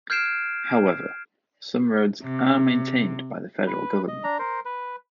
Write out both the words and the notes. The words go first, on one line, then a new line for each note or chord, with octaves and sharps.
However, some roads are maintained by the federal government.
F6 G6 G#6 C7 D7 E7
C3
B4
D#5
D4 A#5
A#4 C5
B4